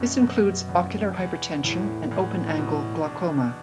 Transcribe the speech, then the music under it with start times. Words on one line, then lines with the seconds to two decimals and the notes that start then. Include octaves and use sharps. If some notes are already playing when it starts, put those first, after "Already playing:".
This includes ocular hypertension and open angle glaucoma.
Already playing: F#2 B2
0.22 B2
0.69 E2
1.17 E2
1.64 E2 A2
2.11 E2
2.58 B2
3.06 D4